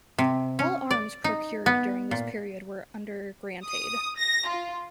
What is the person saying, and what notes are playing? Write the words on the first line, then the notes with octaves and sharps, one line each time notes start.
All arms procured during this period were under grant aid.
C3
C#4
D5
D#4
B3
A#2
D#6
A#6
F4